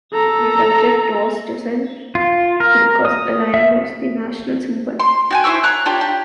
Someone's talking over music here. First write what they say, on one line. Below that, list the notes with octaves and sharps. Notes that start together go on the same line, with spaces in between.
The subject was chosen because a lion was the national symbol.
A4 A#5
F4
A#4
D#6
E5
C6
F#4 G5 G#5
E4 C5 C#6 E6
C#5 A#5 F#6
D4 F4 G4 C#5
G4